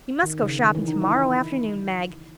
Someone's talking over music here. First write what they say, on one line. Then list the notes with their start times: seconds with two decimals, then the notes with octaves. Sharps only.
We must go shopping tomorrow afternoon, Meg.
0.23 D#3
0.42 C#3
0.62 D#3
0.75 E3
0.88 D#4
1.02 E4